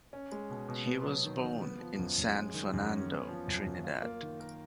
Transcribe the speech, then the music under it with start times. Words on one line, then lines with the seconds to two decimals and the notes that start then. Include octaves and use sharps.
He was born in San Fernando, Trinidad.
0.13 C#4
0.32 G#3
0.50 B2
0.69 B2
0.87 B3
1.06 F#3
1.25 D#3
1.42 D#3
1.61 B3
1.80 F3
1.99 F#2
2.18 F#2
2.36 G#3
2.54 D#3
2.73 F#2
2.91 C#4
3.11 B3
3.28 F3
3.48 F#2
3.66 F#2
3.84 F4
4.03 A#3
4.22 D#3
4.40 A#4